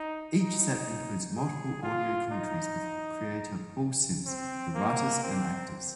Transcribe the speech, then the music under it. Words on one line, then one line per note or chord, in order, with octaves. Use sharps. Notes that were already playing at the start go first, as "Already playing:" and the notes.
Each set includes multiple audio commentaries with creator Paul Simms, the writers and actors.
Already playing: D#4
D#4
G#4
F4
D#4
C4
A#3
C4